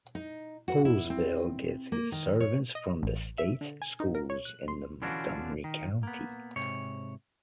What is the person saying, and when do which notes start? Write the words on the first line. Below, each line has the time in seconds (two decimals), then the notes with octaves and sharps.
Poolesville gets its servants from the States Schools in the Montgomery County.
0.15 D#4
0.68 F#4
0.85 E4
1.10 C4
1.92 A#3
2.12 D#3
2.40 C#5
2.75 D#5
3.03 A1
3.38 E5
3.61 D3
3.82 G#5
4.00 D#4
4.15 A#4
4.30 C#5
4.45 F#6
4.68 C6
5.02 D3 E3 C#4 D4 F4 F#4
5.64 D#3
6.03 A#3 B3
6.56 G#2 C3 C#5